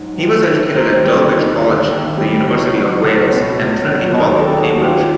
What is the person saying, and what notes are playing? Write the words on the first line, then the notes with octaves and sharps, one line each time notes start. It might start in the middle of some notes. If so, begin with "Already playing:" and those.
He was educated at Dulwich College, the University of Wales and Trinity Hall, Cambridge.
Already playing: G#2 F#3
G#1
D#3
D#2 A#4 C5
G3
D#2
D3
D#2
G3
C#2
F#3
C#2
B2
C#2
F#3
D#2 G#4 A#4
G4 A4
F#3
F#4 G#4
D#2
F4 G4
F4